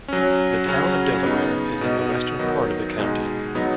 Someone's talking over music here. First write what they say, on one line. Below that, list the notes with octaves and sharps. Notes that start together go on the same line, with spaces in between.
The Town of Delaware is in the western part of the county.
F#3 C#4
C#3 F#3 C#4
C#3 B3 D#4
B2 B3 D#4
D#3 F#3 B3 D#4
B2 G#3 D#4
F#3 B3 D#4